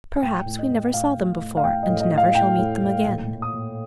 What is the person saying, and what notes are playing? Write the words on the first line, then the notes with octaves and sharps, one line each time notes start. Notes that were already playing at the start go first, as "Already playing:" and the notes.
Perhaps we never saw them before, and never shall meet them again.
A2 G5
A2
D#5
A2
A2 F5
A2
A2
F5
A2 G5
D#5
A2
D#5
A2
F5
A2 G5
A2
A2
A#2
A#2
D#6
A#2